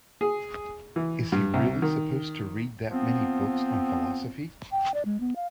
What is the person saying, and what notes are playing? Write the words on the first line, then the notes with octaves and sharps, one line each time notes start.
Is he really supposed to read that many books on philosophy?
G#4
E3
G2
C2
D#3
F3 B3 C4
G5
D5
G#3
B3
F5